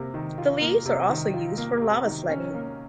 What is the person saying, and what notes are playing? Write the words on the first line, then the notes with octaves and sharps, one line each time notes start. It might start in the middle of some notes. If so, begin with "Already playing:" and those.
The leaves are also used for lava sledding.
Already playing: C3 A#3
D#3
F4
A#3
C3
D#3
F4
A#3
C3
D#3
C#4
A#3